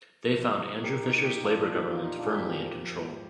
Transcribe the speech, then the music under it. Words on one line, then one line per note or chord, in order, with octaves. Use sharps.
They found Andrew Fisher's Labor government firmly in control.
F3
A#3
A#2 G4 A#4
D#4 G4
A#2
D#4 G4
F3 D4 F4
A#3 D#4 G4
F4
A#2 D#4
D4 F4
G#4
A#3 D#4 G4
G4 A#4
F3
G#2